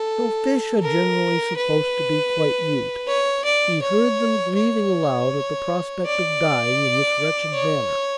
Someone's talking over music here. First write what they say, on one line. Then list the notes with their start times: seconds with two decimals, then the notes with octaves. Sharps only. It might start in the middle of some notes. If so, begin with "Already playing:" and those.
Though fish are generally supposed to be quite mute, he heard them grieving aloud at the prospect of dying in this wretched manner.
Already playing: A4
0.83 A#4
1.57 B4
3.07 C#5
3.45 D5
3.82 C#5
4.56 C#5
6.06 D5
7.54 C#5